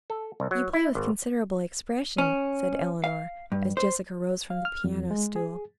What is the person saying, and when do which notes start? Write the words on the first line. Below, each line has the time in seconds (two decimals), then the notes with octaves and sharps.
"You play with considerable expression," said Eleanor, as Jessica rose from the piano stool.
0.10 A4
0.40 C2
0.51 F#3
0.73 E4
0.95 G#1
2.18 C#4
3.04 F5
3.52 G2
3.77 C5
4.50 F5
4.65 F6
4.84 F2
5.11 G#3
5.36 G#4